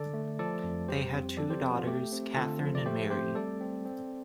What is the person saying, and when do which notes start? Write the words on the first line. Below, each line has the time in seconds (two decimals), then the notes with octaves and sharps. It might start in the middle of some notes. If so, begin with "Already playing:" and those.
They had two daughters, Katherine and Mary.
Already playing: D3 A4 D5
0.14 A3
0.39 F3 A4 D5
0.64 F2
0.88 G3 G4 C5
1.13 C4
1.37 F3 A4 D5
1.50 G4 C5
1.62 C4
1.75 F4
1.87 A3 G4
2.12 C4
2.37 D3 F4 A4
2.61 F3
2.75 D5
2.86 A3 G4 C5
3.10 C4 G4 C5
3.35 G3 A4 D5
3.61 C4
3.85 C4